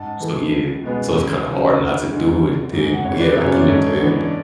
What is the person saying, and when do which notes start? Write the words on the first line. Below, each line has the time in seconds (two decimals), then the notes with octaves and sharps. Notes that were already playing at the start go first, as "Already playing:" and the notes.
So yeah. So it's kinda hard not to do it and then but yeah, like you were saying,
Already playing: G#2 F#5 A5
0.20 E3 A3
0.52 C#2
0.83 B2 G#3 B3
1.16 C#2
1.47 C#3 F#3
1.78 D2
2.10 D3 G#3
2.42 G#1
2.73 G#2 G#3
2.93 F#5
3.05 G#1 C#5 E5
3.20 B4 D5
3.36 F#2 C#3 F#3 C#4 C#5 E5
3.47 C#5
3.52 B4 D5
3.68 G#2 A4 C#5
3.99 E3 B3 D4
4.25 D5